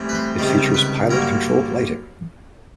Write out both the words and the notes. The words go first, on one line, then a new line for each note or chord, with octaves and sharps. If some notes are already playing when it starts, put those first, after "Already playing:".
It features pilot-controlled lighting.
Already playing: A2 E3 G3 C4
B4
C5
C#2 C3 D#3 G3 C5
B4
G2 D3 F#3 A#3 A#4